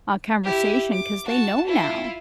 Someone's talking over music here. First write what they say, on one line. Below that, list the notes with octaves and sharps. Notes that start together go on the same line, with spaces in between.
uh, conversation 'cause they know now.
E4 G4
D6
F#4 A5
E4 F4